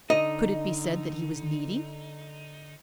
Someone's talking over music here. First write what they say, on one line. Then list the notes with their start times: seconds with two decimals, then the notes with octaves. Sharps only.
Could it be said that he was needy?
0.10 D3 D#4 D#5